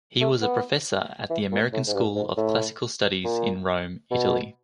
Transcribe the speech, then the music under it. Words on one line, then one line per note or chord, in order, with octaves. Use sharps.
He was a professor at the American School of Classical Studies in Rome, Italy.
A3
B3
E3
A#2
A2
G#2
G2
G#2
A2
A#2
B2